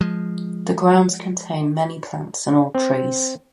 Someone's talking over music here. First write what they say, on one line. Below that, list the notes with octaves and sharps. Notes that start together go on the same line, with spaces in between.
The grounds contain many plants and old trees.
F3 G#3
C4